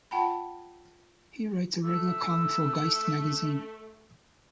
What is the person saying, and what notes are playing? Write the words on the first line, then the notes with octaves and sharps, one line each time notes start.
He writes a regular column for "Geist" magazine.
F4 F#5 G5 A5 B5
A3 E6